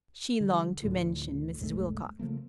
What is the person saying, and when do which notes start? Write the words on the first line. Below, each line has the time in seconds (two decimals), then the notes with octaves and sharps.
She longed to mention Mrs. Wilcox.
0.40 D3 G3
0.82 D2 A2 D3 F3
1.59 B1 F2 G#3 A3
2.19 C#3 F3 A3 A#3